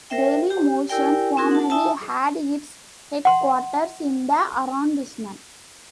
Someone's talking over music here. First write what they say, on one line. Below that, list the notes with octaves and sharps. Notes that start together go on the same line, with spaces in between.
Dailymotion formerly had its headquarters in the arrondissement.
A#4 C5 E5 G5
G4
E4 G4 A#4 D5 G5 G#5
C4 D#4 E4 F#4 G#4 A#4
F#5 A5
D#4 E4 E5 G#5 A5
F#5 C6